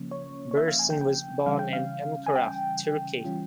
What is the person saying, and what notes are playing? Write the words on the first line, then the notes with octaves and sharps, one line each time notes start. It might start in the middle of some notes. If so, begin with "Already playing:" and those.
Birsen was born in Ankara, Turkey.
Already playing: C#3 F3 A#3 C#4
C#5
C#5
E5
F5
G#5
G5
G5
C#3 E3 G3 C#4 F5
G5
F5
G#5
G5
E3 G3 C#4 F4